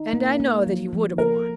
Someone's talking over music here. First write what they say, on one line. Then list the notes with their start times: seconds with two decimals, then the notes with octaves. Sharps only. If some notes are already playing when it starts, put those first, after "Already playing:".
And I know that he would have won.
Already playing: D#4
0.13 A#3
0.40 A#3
0.67 F3
0.93 F3
1.18 A#3 A#4